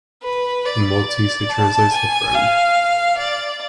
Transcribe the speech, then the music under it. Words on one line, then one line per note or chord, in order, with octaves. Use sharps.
In Maltese it translates to "friend".
B4
D5
A5
G#5
F5
D5